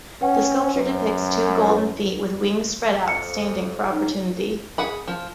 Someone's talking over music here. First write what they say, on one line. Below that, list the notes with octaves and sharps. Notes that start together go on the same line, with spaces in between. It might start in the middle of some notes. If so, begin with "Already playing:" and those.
The sculpture depicts two golden feet with wings spread out, standing for opportunity.
C#4 B4 F#5 G5
F#2 B4
E4 B4
F2 C#7
D3 C#4 D#4
G#4 F#5 B5
F3